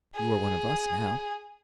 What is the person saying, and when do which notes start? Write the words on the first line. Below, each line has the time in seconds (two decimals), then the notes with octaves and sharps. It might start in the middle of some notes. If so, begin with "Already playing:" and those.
You are one of us now.
0.16 G#4